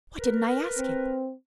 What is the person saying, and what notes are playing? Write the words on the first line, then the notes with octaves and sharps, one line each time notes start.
Why didn't I ask him!
A#4 B4
C4